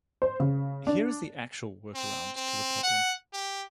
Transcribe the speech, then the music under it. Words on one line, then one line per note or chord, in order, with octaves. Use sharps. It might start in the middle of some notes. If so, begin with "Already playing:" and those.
Here is the actual workaround to the problem.
C5
C#3
D4
C4
C4
F#5
G4